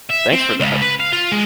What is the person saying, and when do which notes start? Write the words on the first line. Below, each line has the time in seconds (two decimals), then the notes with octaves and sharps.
Thanks for that!
0.10 E5
0.33 C4
0.60 C#2
0.81 B4
1.00 F5
1.13 F4
1.32 G#3